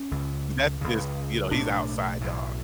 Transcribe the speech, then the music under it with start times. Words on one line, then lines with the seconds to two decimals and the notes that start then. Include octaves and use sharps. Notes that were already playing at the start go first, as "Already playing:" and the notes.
That's just you know, he's outside dog.
Already playing: C#4
0.11 C#2 C#3
0.81 C#2 C#3
1.51 B1 A2 D4
2.21 B1 A2